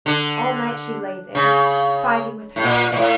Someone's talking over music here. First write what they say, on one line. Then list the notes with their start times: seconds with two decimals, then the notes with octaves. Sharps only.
All night she lay there, fighting with her pain.
0.06 D3
1.35 C#3
2.56 A2
2.63 A#2
2.92 A#2
2.96 A2